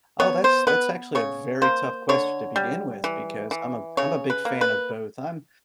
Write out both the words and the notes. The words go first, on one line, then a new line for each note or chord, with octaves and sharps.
Oh, that's that's actually a very tough question to begin with because I'm a I'm a big fan of both. I'm
B3 C#5
C5
B3 B4
C#3 C#5
A#3 C5
D3 C#5
G3
E3
E3
C#3 C#5
B4
A#3
B4